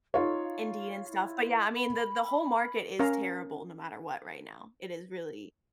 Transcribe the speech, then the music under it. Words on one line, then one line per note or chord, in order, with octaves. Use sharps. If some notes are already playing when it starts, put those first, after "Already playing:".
Indeed, and stuff, but yeah, I mean, the the whole market is terrible no matter what right now, it is really,
D#4 F4 A4 C#5
F5
E4
B5
C#4 A#4 F5 A#5